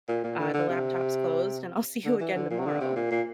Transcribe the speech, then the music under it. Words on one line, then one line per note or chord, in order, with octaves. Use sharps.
uh, the laptop's closed, and I'll see you again tomorrow?"
A#2
A#2
D3
D3
C3
D3
E3
D3
A#2
C3
D3
C3
A#2
A#2